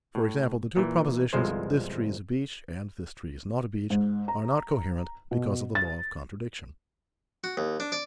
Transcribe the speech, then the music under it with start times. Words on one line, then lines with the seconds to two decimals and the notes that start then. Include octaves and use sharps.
For example, the two propositions, 'this tree is a beech' and 'this tree is not a beech', are not coherent, because of the law of contradiction.
0.15 A2
0.77 A#2 E3
1.33 G1 C2 F3 G#3 C5
3.90 G#2
4.28 A#5
5.31 B2
5.75 A6
7.44 F#4
7.57 D#2
7.80 D4
7.92 D5